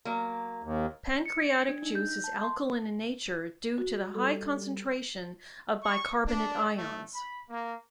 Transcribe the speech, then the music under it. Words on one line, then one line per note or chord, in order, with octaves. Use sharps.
Pancreatic juice is alkaline in nature due to the high concentration of bicarbonate ions.
F#3 A#3
D#2
C#7
D7
G#6
D4
D#4
G6
G6
A5
C6
F#4
G3 A4
C#6
D4
A3
B5
A#3